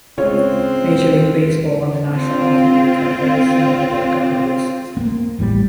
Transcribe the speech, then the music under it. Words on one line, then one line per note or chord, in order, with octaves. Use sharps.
Major League Baseball and the National Hockey League have very similar blackout rules.
C#3 G#3 C4 F4 C#5
C4 F4
A#3 B3
A1 A2 C#3 G3